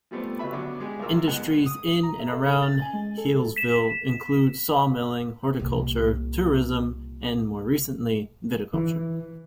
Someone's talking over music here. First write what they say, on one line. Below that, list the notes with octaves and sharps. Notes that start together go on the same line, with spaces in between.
Industries in and around Healesville include sawmilling, horticulture, tourism and, more recently, viticulture.
F3 G3 A3 B3 C4
A1 C#3 F#4 B4 E5 B5
D3 F#3 B3 D6
G#3 G4 G#5
C2 F4 A#4 E6
F2 G#3 B3 F#5
D#6
A#5
E5
A4
C#4
A6
G#5
G#3
A4
B6 E7
C2 A#2
E3